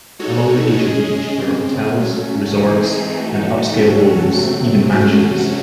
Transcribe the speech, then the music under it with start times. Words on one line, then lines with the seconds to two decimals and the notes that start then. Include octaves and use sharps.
Along the Asia Beach there are hotels, resorts, and upscale homes, even mansions.
0.19 G#3 D#4 F#4 A4 C#5
0.79 G#3 C#4 G#4 D#5
1.38 C#3 G#3 C4
1.96 F#3 A3 C#4
2.56 E3 A3 C4 D#4 G#4
3.14 E3 A3 D#4 F#4
3.73 F#3 C#4 F#4 A4
4.33 C3 F#3 A3 C4
4.91 C3 F#3 A3 C#4 F#4